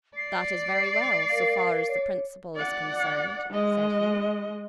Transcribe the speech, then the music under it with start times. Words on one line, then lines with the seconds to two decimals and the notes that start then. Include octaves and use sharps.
"That is very well, so far as the principal is concerned," said he.
0.17 D5 C7
1.29 A#4 F5
1.88 C#5
2.55 D5 F#5
3.49 G#3 D#5